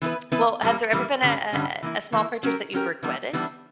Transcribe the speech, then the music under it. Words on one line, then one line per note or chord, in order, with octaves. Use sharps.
Well, has there ever been a a a a small purchase that you've regretted?
E3 B3 E4 B4
E3 B3 E4 B4
F#2 E3 G3 A#3
F#2 E3 G3 A#3
G2 D3 G3 C#4
G2 D3 G3 C#4
E3 A#3 E4
E3 A#3 E4
F#3 C#4 G4 A#4
F#3 C#4 G4 A#4
E3 G3 B3 D4
E3 G3 B3 D4